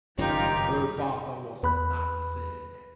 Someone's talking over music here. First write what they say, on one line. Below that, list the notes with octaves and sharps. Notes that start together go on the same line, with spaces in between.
Her father was a Nazi.
F#1 G2 D#3 D#4 F4 G4
E2 B4 B5 F#6